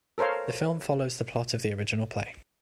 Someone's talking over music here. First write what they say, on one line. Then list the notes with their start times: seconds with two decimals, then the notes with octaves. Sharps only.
The film follows the plot of the original play.
0.18 A4 A#4 C5 C#5 F5